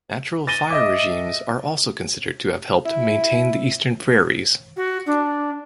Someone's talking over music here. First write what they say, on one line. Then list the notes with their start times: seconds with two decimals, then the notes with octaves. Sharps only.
Natural fire regimes are also considered to have helped maintain the eastern prairies.
0.47 A6 A#6 D#7 G7
0.70 D#5 E5 D6
2.85 E4
4.76 F#4
5.06 D4